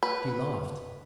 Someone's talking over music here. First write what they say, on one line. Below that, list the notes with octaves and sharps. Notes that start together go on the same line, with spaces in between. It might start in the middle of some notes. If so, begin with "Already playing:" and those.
She laughed.
B4